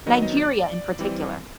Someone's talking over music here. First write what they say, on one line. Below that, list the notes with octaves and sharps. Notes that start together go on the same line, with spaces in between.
Nigeria in particular.
D#3 F#3 B3 D#5
D#5
D5
E3 G3 C4